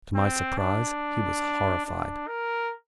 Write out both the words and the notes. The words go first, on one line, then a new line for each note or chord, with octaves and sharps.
To my surprise he was horrified.
C4
D4
D4
A#4